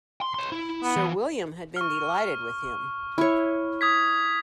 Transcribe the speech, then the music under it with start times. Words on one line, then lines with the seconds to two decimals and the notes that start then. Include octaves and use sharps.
Sir William had been delighted with him.
0.21 C6
0.34 C#5 C6
0.52 E4
0.83 B3
0.96 E3
1.76 C#6 F6
3.18 E4 C#5
3.81 D#6 G#6 B6